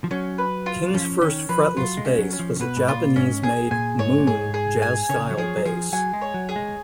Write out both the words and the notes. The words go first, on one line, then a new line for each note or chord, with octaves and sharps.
King's first fretless bass was a Japanese-made "Moon" Jazz-style bass.
F3
F#3 C#4
B4
F4
F3 C#4
D#3 C#4
F3 B4
F#3 F4
G#3
C#4
F#3
C#4
F3
C#3
B2 B4
G#2
A#2 F4
G#2 C#4
G#4
A#2 G#5
G#2 C#5
A#2
G#2 G#4
G#4
G#5
C#3 C#5
F#3
F3 G#4
F#3
F3 G#4
F#3 G#5
G#3
C#5
F#3
G#4
G#3